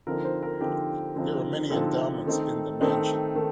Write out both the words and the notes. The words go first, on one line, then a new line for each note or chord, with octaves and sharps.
There are many endowments in the mansion.
D3 F3 C4 D#4 A#4
C5
A#4
D3 F3 C4 D#4 G4
D3 F3 C4 D#4
D3 F3 C4 D#4 A4
D#3 A3 C4 D#4
D#3 A3 C4 D#4
D#3 A3